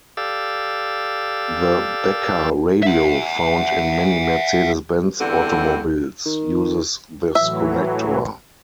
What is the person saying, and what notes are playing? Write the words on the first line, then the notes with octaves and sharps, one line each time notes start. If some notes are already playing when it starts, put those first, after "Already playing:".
The Becker radio found in many Mercedes-Benz automobiles uses this connector.
G4 A4 D5 F5 E6
E5 F#5
E2 G2 D3 C4 F#5
D#3
A2 E3 F#3 E5